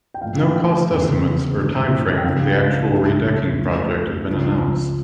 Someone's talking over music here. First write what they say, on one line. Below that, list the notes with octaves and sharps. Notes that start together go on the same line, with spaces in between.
No cost estimates or time frame for the actual redecking project have been announced.
G5
A#1 A2 F3 F5
G5
F1 E2 C#3
G1 G2 E3
G5
C#2 C#3 F3 F5
F5
C#2 C#3 F3 E5
A1 A2 F3
C#2 C#3 F3